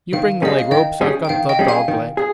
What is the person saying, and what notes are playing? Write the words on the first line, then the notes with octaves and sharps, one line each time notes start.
You bring the leg-ropes--I've got the dog-leg.
D#3 F5
G3 C#4 G#4 D#5
F5
D#3 D#5 G5
G3 C#4 G#4
G5
D#3 F5
D#5 G5
G3 C#4 G#4
F5 G#5
D#3
G#4